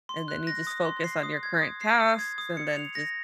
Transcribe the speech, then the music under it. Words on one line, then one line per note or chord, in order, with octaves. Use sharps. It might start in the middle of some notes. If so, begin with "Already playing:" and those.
and then you just focus on your current tasks, and then just
C6
F#6
A#6
D#6
C6
C7
D#6
G#6
D#6
C7
D#6
G#6
D#6
C#7
F7
A#6